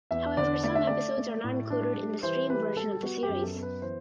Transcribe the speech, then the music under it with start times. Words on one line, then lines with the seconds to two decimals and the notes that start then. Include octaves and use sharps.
However some episodes are not included in the streamed version of the series.
0.11 E2 E5
0.37 D3 D5
0.64 A3 D5
0.75 E5
0.87 A3 D5
1.18 A3
1.44 A2
1.70 D4
1.97 G3
2.23 E3 C5
2.50 G3 B4
2.76 G3 A4
3.03 B3 F#4
3.23 G4
3.29 F#2
3.43 A4
3.55 B3
3.62 B4
3.82 E3 C5